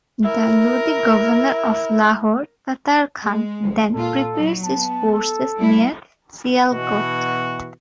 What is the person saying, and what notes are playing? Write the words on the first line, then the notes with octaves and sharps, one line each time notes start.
The Lodhi governor of Lahore Tatar Khan then prepares his forces near Sialkot.
E4 A#4
G#3
A#2 F4 A4
F#3 D#4
B3 A5
A4
G3 E4
B2 E3 F#4